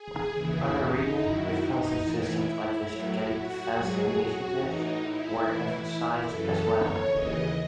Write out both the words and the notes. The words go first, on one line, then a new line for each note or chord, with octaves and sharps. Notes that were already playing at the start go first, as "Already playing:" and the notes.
Under Reagan, defensive systems like the Strategic Defense Initiative were emphasized as well.
Already playing: G#4
D#2 C#3 E3 E4
D#4
F#2 D#3 F#3 E4
D#4
A2 E3 E4
A2 F#3
F#4
G#2 F#3 G#4
F#4
A2 E3 D#4
E4
A2 E3
E4
F#2 C#3 E3 A4
C#5
D#2 C#3 E3 D#5